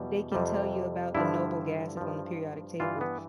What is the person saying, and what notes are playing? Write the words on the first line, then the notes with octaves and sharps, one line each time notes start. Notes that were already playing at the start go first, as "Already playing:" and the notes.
they can tell you about the noble gasses on the periodic table.
Already playing: E2 B2 G3
F2 C3 G3
G2 D3 F3 E4
G2 F3
G2 E3 G3 F4
B3